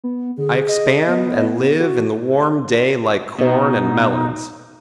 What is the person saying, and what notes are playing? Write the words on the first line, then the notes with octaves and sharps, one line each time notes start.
I expand and live in the warm day like corn and melons.
B3
D3 G#4
D#5
B3
F#4
B2 D#4